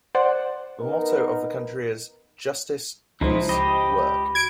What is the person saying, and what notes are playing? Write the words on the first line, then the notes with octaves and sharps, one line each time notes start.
The motto of the country is : "Justice, Peace, Work".
C5 D5 F#5
B3 D#4 A#4
C#2 F3 D#4 E4 C5 C7
G4 D#5 B5 A#6
F#4 G#6 D7